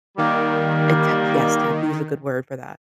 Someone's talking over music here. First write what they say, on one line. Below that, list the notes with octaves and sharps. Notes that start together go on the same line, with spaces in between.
Eh, ta Yes, taboo's good word for that,
D#3 G3 A#3